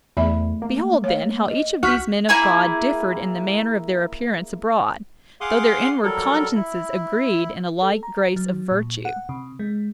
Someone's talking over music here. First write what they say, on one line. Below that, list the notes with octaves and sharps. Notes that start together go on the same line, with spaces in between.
Behold then how each of these men of God differed in the manner of their appearance abroad, though their inward consciences agreed in a like grace of virtue.
E2 A3 D5 E5 B5
A#3
C#5 F5
D#5
C2 F#4 F6 G6 B6
A#3 E4 G#4
G#4 F5 F#5 C6 D6 D#6
F#3 G3 A4 A#4
E4
A4
A#5
F#3
A#2
F#5
C3
G#3